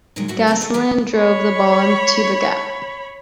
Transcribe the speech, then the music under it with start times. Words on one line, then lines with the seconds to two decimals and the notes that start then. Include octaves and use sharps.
Goslin drove the ball into the gap.
0.16 A#2 D3 D#3 F#3 G#3
0.28 A2 G3 F#4 E5 F#5
0.47 C#3 F#3 A#3 C4 G4 A#4
0.60 A3 C4 G#4 A4 C#5 D#5
0.74 E3 G4 G#4 A#5
1.16 C#5 B5